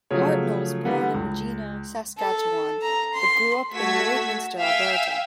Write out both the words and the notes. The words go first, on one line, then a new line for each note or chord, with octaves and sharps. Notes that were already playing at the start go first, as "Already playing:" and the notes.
Hartnell was born in Regina, Saskatchewan, but grew up in Lloydminster, Alberta.
C#3 F3 F#3 A3 G#4 C#5
D3 E3 G3 B3
C#2
A4
A#5
C6
A3 F#4 A4 E6 G#6 B6
E5 F5 G5 G#5 E6